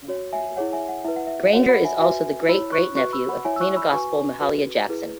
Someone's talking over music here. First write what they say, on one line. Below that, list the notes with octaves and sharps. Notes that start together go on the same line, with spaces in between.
Granger is also the great-great-nephew of the "Queen of Gospel", Mahalia Jackson.
F#4 C#5
E5 G#5
E4 G#4 C#5 F#5
E5 G#5
F#5
E4 B4 E5
F#5
E5
F#4 C#5 F#5
F#5 B5
E5 G#5
F#4 B4 E5 G#5
E4 C#5 B5 E6
C#6 F#6
F#4 B4 C#6 F#6
B5 E6
F#5 B5
E4 C#5 E5 G#5
E6
C#6 F#6
B5 E6
F#4 B4 G#5 C#6
F#4 B4
E4 G#4 B4